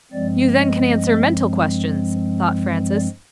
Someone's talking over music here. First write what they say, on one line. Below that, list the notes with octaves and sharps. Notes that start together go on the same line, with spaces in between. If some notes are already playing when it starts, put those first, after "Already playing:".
"You then can answer mental questions," thought Francis.
G2 F3 G#3 C4 D5
D#5
D5